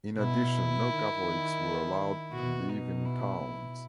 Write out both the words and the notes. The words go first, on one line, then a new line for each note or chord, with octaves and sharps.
In addition, no Catholics were allowed to live in towns.
B2 E4
D#3
B2 F#4
D#4
E4